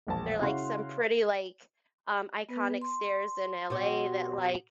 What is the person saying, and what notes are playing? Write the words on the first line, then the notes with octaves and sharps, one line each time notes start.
They're like some pretty, like, um, iconic stairs in LA that, like
E1 A#1 A5
C#3 E4 F#4 F5 C6 F#6
B3 B4
C6
B2 F#3 G4